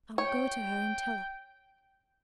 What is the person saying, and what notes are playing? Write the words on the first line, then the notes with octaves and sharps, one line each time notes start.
'I will go to her, and tell her.
C#5 G5